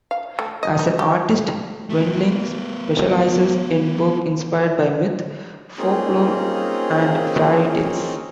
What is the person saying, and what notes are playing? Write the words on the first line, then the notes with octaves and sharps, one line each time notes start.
As an artist, Windling specializes in work inspired by myth, folklore, and fairy tales.
F5
A3
D#5
D#4
G4
A3 B3
A#3 C4 C#4 D#4 F4 G#4